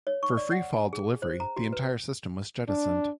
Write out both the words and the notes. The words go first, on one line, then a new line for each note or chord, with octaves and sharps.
For free-fall delivery, the entire system was jettisoned.
C#5
C#6
D5
F#5
G#5
G#4
C5
A#5
F#4
B4
D4